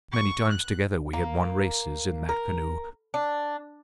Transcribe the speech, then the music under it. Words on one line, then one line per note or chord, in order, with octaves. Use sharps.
Many times, together, we had won races in that canoe.
C#6
F#6
A#3
A#4
D4